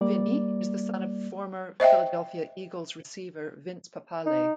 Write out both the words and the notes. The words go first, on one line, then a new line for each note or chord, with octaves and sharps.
Vinny is the son of former Philadelphia Eagles receiver Vince Papale.
G3 A#3 D5
C5 D#5 E5 G5
D#4